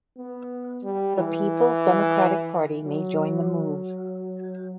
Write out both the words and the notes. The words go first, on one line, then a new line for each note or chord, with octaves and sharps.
The People's Democratic party may join the move.
B3
G3
E3
F#3